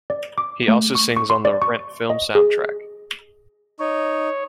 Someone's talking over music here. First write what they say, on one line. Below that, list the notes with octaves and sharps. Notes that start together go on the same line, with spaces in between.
He also sings on the "Rent" film soundtrack.
D5
D6
A3
C#6
C#6
C6
D5
C#6
D#5
G#4
D#4 C#5